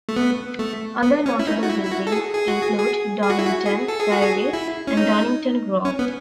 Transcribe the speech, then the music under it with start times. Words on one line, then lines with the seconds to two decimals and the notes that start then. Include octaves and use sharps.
Other notable buildings include Donnington Priory and Donnington Grove.
0.09 A3
0.17 B3
0.59 A3
1.03 B3
1.26 C#4
1.39 E4
1.47 D#4
1.63 F#4
1.69 E4
1.85 E4
1.92 F#4
2.07 A4
2.12 G#4
2.34 G#4
2.48 F#4
2.62 G#4
2.78 G#4
3.23 G#4
3.30 F#4
3.39 E4
3.46 F#4
3.66 G#4
3.88 A4
4.00 G#4
4.12 F#4
4.23 G#4
4.53 E4
4.87 C#4
4.97 D#4
5.85 C#4
5.99 B3